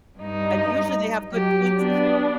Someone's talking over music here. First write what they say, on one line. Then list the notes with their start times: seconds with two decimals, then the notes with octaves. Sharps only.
and usually they have good points
0.19 G2 D#4
1.30 F#3 G4
1.79 B3 D4